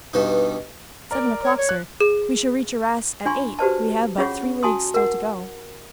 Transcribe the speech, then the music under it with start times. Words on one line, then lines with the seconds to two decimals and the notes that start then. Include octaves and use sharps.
"Seven o'clock, sir; we shall reach Arras at eight; we have but three leagues still to go."
0.13 G2 B2 D#4
1.11 A#4 D5
1.43 C#5
1.57 C#5
1.69 F#6
2.01 G#4
3.25 D4 F4 G#5 C6 C#6
3.59 F#4 G4 B4 C5 D5 A5
4.18 C#4 F4 G#4 C#5 F#5 C#6
4.63 F#4 G#5 A5 C6 D#6
4.94 A#4 F#5